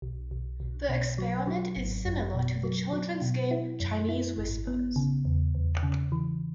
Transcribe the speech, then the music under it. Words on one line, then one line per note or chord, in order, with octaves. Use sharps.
The experiment is similar to the children's game Chinese whispers.
B1
B1
B1
B2
F#3
F#3
G#1
F#2
B2
F#3
F#3
B2
E4
F#2
E4
G#1
B3
C#3
E2
E2
C#3
E3